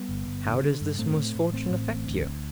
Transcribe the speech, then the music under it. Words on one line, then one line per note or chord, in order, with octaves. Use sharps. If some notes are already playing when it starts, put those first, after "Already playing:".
How does this misfortune affect you?
Already playing: G3 B3
G1
G1
D3
D3
G2
A2 A3 C4
A2
A2
A1 A3 C4
A2
A1
D2
D2